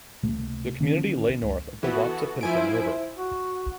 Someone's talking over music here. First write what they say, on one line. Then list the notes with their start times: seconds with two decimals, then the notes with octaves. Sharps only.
The community lay north of the Wapsipinicon River.
0.23 C#2 C3 A3 A#3
0.80 D3 D#3 A#3 C#4
1.42 C#2
1.83 E3 B3 F#4 A4
2.41 F3 E4 C5 G#5 D7
3.16 F#4